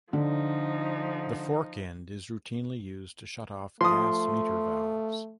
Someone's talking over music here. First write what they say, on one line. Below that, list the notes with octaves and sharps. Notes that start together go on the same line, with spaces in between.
The fork end is routinely used to shut off gas meter valves.
D3 F3 D#4
F3 A3 C6 D#6